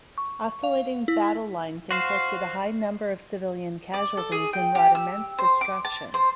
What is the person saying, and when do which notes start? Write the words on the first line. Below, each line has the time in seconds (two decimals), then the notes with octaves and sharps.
Oscillating battle lines inflicted a high number of civilian casualties and wrought immense destruction.
0.18 C#6
0.64 F5
1.08 E4
1.91 F#4 C5 F5
3.94 D5
4.17 A4
4.32 G#4
4.53 G5
4.75 G4
4.95 E6
5.38 C5
5.61 D6
5.85 A5
6.14 C5